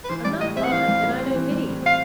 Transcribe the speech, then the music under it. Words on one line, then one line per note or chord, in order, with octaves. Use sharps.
'I'm not blind, and I know Biddy.
B4
E3 C5
G3 D5
A2 D#5
C4 E5
F#5
E3 F5
G3
A2
C4
E3
G3
A2
C4 F5